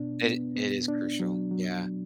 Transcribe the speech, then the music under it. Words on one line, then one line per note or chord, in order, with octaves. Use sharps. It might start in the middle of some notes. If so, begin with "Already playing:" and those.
It i it is crucial. Yeah.
Already playing: B2 B3 D4
B3
B3
D4
F#3
F#3